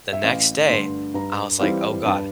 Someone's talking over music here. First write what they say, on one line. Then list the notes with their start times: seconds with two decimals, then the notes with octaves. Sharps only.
the next day, I was like, "Oh god.
0.13 E5
0.23 A1 F5
0.69 G2 D3 A3 C6
1.14 G2 A#5
1.60 E3 G3 C4 F5
2.06 G2 A5